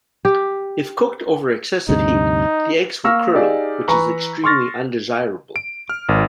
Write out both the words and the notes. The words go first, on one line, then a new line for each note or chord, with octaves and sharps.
If cooked over excessive heat, the eggs will curdle, which is extremely undesirable.
G4
D2 G2 C3 D#4
A#3 F5 C#6 E6 F6 A#6
D#4 G4 G#4 D5 F5
E3 B4 A#5 B5 C#6
C6 C#6 F6 A6 A#6
D7
F6
G#1